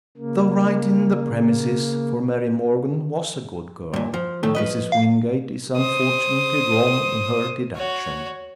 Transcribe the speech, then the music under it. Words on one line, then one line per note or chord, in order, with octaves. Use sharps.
Though right in the premises--for Mary Morgan was a good girl--Mrs Wingate is unfortunately wrong in her deductions.
C#3 A#3
G2 A#2
F3
A2 D#3 A3
F3 B4 D#5
F5
C5 D#6
F#4 C#5